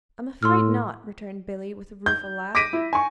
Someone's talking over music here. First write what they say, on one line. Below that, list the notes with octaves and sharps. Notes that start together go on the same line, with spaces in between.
"I'm afraid not," returned Billy, with a rueful laugh.
A2 C6 E6 F6
G6
D6 A#6 B6 D7 D#7
E4
G#5 C#6